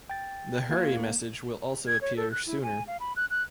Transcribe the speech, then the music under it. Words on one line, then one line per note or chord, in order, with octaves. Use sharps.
The "Hurry" message will also appear sooner.
G5 A6
A#3 F4 F#4 F5 G#6
A#3
G#6
C#5
A4
F#6
E4
G#5
F5
B5
F#6
F#6